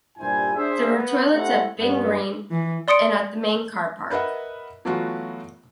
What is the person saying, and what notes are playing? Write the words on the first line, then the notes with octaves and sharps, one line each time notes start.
There are toilets at Binn Green and at the main car park.
G2 A#2 G3 E4 C5 G#5
D4 G#4 C5 E5
B3
A3 C4 E4 G4 F#5
G2 B3
E3
D5 C6 D#6 C#7 D7
A#4 B4 D#5 E5 F#5
E3 F#3 A3 B3 F4 F#4